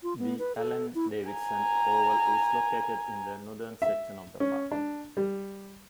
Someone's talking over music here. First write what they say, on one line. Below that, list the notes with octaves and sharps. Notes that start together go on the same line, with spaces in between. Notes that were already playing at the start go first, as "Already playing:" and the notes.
The Alan Davidson Oval is located in the northern section of the park.
F4
B3
B4
A4
E4
G#5 A#5
E5
C#4
D4
G3